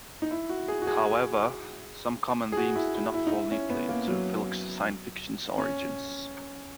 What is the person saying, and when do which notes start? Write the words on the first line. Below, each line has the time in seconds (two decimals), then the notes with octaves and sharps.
However, some common themes do not fall neatly into filk's science fiction origins.
0.22 D#4
0.31 E4
0.49 F#4
0.68 G#4
0.82 F#4
0.87 G#4
2.52 G#4
2.57 F#4
2.76 E4
2.95 E4
3.14 E4
3.27 D#4
3.32 E4
3.51 C#4
3.70 B3
3.89 A#3
4.08 F#3
5.58 C#4